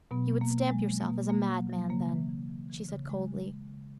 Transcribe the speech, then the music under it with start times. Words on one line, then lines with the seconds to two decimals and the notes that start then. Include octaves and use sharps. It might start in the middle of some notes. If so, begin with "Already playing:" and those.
"You would stamp yourself as a madman, then," she said coldly.
0.11 B2 F#3 B3
0.32 B2
0.41 A#3
0.50 B2
0.71 F#3 G#3
0.91 F#3
1.00 A#3
1.10 B2
1.30 B2 A#3
1.51 F#3
1.69 F#3
1.89 C#3 A#3
2.09 E3
2.29 E3
2.49 E3
2.70 E3
2.89 C#3
3.09 C#3 G#3
3.28 C#3
3.48 C#3
3.68 C#3